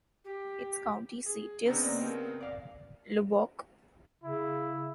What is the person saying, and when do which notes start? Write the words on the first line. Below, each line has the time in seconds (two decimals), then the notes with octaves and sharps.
Its county seat is Lubbock.
0.25 G4
1.26 G#4
1.66 C#3 B3 C4 D4 A#5
1.83 A#3 D5 D#5
2.00 G4 A#4
2.41 D5 F5
4.23 C#3 E4